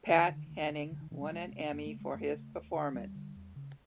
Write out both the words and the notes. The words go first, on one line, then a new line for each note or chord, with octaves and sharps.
Pat Henning won an Emmy for his performance.
D2 D#3
D3
D2
D3
C2 D3
D#3
C3 E3
G3
C2 G#3
C3
F#2 A#3
A3
C#3
G#3
F#2 A3
C#3
D#2
D3
D#2 G3
D3
E2
C#3